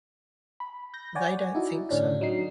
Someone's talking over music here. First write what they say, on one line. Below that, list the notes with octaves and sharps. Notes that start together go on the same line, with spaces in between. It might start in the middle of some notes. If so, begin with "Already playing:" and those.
They don't think so.
B5
G6 A#6
C#5 D5 F#5 G#5
D#4 E4 F#4
A2 D3 C#4 D4
F#3 D#4 C7